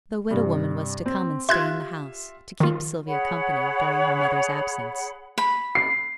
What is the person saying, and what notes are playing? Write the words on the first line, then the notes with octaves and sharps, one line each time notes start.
The widow-woman was to come and stay in the house, to keep Sylvia company, during her mother's absence.
G2 C3
C4
F4 G4 E5 C6 F#6 G#6
D#3 F4
G#4 C#5 F#5 B5
B5
C7